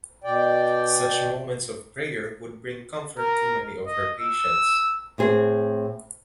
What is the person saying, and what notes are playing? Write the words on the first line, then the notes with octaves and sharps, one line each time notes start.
Such moments of prayer would bring comfort to many of her patients.
B2 D5 G5
A#4
D#5
E6
A2 C4 G#4